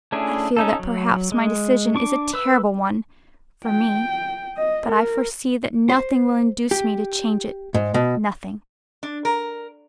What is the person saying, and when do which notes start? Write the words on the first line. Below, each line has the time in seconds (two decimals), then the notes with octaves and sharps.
I feel that perhaps my decision is a terrible one--for me, but I foresee that nothing will induce me to change it--nothing.
0.12 A3 C#4 D4 E4 G#4
0.57 C#4 D#4 A4
0.79 F#3
1.32 G#3
1.95 D4 C#6 D6
2.33 B4 E6
3.65 G5
4.57 D#5
4.88 A#4
5.90 C5
6.71 G4
7.74 G#2
7.94 B2
9.03 D4
9.25 A#4